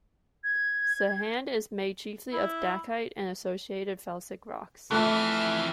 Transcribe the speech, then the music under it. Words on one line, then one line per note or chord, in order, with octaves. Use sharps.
Sahand is made chiefly of dacite and associated felsic rocks.
G#6
E4
F2 E3 A3 E5 F6 F#6